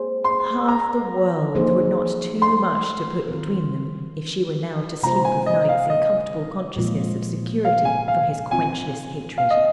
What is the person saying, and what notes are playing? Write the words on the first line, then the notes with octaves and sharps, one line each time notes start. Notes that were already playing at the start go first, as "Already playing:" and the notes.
Half the world were not too much to put between them if she were now to sleep of nights in comfortable consciousness of security from his quenchless hatred.
Already playing: A#3 G#4 C5
C6
A#5
F3 A#3 D#4 G#4 C5
C6
D#3 C4 F4 A#4
C3 G#3 F4 C5 A#5
G#5
D#5
F5
D#5
A#2 F3 G#3 F4
F5
G#5
F5
D#3 C4 F4 G#5
F5
D#5